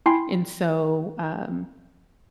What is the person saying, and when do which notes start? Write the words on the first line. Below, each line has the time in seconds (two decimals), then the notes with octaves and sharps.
and so, um,
0.06 E4 G5 G#5 B5 C6 C7